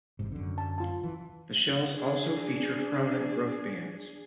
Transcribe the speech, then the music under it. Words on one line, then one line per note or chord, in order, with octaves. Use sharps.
The shells also feature prominent growth bands.
A1 G#2 C3
F#2 D3
A5
F4 A5
E3
D4 G#4